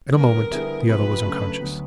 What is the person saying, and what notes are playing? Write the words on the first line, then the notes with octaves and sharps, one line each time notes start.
In a moment the other was unconscious.
D3 G3 B3 A#4
D3 G3 B3 E4 G#4
C3 F3 G#3 B4
C#3 F#3 A3 D4
D2 D3 F#3 B3